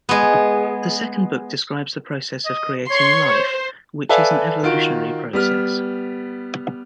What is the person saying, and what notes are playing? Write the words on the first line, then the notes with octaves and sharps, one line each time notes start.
The second book describes the process of creating "life", which is an evolutionary process.
G#3 B3
D#5
C#5 C6 C#6
C5
A4 B4 D5 E5 F5 G#5
D#3 F4 F#4 D7
G3 B3 F6